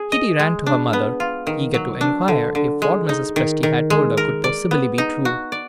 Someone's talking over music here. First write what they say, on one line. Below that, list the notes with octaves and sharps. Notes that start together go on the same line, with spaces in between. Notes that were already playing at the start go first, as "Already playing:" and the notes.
Kitty ran to her mother, eager to inquire if what Mrs. Presty had told her could possibly be true.
Already playing: G#4
D#5
G#3
D4
B3
F4
D#3
F#3
D4
D3
D3
G#3
D#4
D#3
D#3
G#3
A#4
D5
B3
D#4
F#4
D5